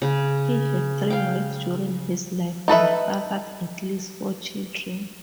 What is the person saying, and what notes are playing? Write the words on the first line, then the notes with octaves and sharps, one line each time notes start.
He had three wives during his life and fathered at least four children.
C#3
F5 G5
D#4 A4 B4 E5